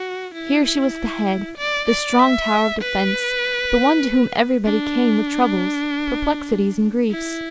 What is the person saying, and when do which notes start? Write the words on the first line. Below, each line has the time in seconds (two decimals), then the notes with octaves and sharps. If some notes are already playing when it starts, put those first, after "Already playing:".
Here she was the head, the strong tower of defense, the one to whom everybody came with troubles, perplexities, and griefs.
Already playing: F#4
0.34 E4
0.66 E4
1.58 D5
1.88 D5
2.19 E5
2.81 B4
4.65 D4
7.11 E4